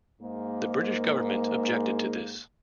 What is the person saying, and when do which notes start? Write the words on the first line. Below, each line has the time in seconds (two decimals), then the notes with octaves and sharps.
The British Government objected to this.
0.22 G#2 A#3